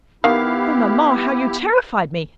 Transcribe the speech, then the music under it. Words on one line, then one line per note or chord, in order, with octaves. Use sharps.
'Oh, mamma, how you terrified me!
D#3 B3 E4 G4 F5